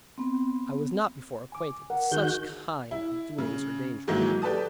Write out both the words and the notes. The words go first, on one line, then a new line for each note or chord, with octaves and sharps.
I was not before acquainted with such kind of doings or dangers.
B3 C4
G#5 D6
A#4 F#5
D#3 F#4 G#4 G6
E4
C#3
G#2 D#3 E3 F#3 G#3 A#3
G4 A4 B4 D5 A5 D#6